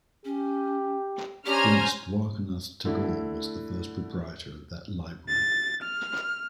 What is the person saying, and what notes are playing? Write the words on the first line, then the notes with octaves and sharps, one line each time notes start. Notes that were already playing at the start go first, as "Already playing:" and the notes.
Prince Dwarkanath Tagore was the first proprietor of that Library.
C#4 G4
C#4 D4 G4 C5 G#5 A#5 F6
D3 A3 E4
A6
F6